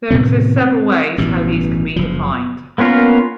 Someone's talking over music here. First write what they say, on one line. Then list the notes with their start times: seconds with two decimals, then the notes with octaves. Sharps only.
There exists several ways how these can be defined.
0.11 A2 C3 D#3 B3
0.61 C4
1.18 A1 G2 B2
1.96 F#1 F3
2.78 A#3 B3 C#4 F4 A#4